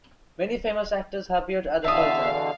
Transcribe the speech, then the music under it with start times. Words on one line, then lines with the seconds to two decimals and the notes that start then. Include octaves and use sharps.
Many famous actors have appeared at the Fulton.
1.84 E2 B2 D3 E5 F5 A5 D#6